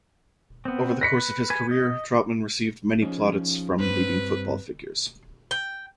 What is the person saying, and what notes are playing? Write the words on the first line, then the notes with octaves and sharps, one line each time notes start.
Over the course of his career, Trautmann received many plaudits from leading football figures.
B3 C4
B4 A#6 B6 C#7
B4 G#5
D#5
F3 C#4 D#4 G#4
G2 G3 C4 B4
G5